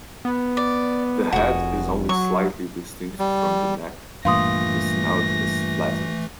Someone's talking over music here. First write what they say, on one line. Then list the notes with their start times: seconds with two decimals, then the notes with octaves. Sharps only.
The head is only slightly distinct from the neck, and the snout is flattened.
0.25 B3
0.57 D5
1.33 F1 F#4 G#4
2.09 F#3 C#6
3.19 G3
4.25 G2 A#2 E3 A3 F5 C6 D#6 A#6